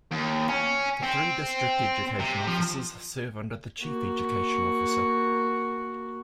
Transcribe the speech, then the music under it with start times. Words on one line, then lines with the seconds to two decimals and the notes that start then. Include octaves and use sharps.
The three District Education Officers serve under the Chief Education Officer.
0.11 D#2
0.49 C#4
1.03 C4
2.20 C3
2.47 F3
3.82 A#3 F#4